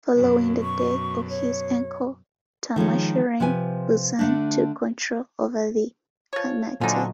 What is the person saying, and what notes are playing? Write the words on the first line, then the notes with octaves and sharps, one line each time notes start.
Following the death of his uncle Tarmashirin, Buzan took control of the khanate.
F#2 B2
C#6
C#5
D#3 F3 G#3 C#4
C3 F3 B4 G#5
D3 A3 D4
F3 C#5
A#2 D3 F3 F#3 D#4 G#5